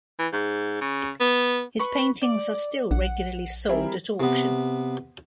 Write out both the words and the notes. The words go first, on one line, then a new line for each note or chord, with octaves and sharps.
His paintings are still regularly sold at auction.
E3
G#2
C#3
B3
B4 C#6
D5
A#1 F#5
G3 C4 E4 G#4 A#4
C3 B3